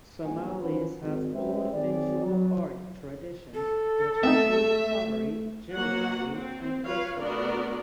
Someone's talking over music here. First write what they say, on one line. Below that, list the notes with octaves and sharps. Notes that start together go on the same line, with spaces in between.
Somalis have old visual art traditions, which include pottery, jewelry and wood carving.
A#1 E2 G2 B2 F#5 G#5
E3 F3 C#4 F#4 B4 C5
G#1
G#3 C#4 G4 B4 C5 E5
D#3 F#3 C4 G#4 D5
F#3
A4
A3 B3 C4 D#4 E5
F#3 A#3 F#4 F#5
C4
F4 B4 C#5 F5
A3 B3 D4 F#4 A#4 D5